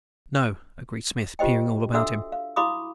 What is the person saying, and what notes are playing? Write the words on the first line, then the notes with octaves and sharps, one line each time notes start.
"No," agreed Smith, peering all about him.
F4 G4 C5 D#5 G5
D4 F#4 A4 E5 F#5 E6
F5
E4 F#4 F5 B5 D6 D#6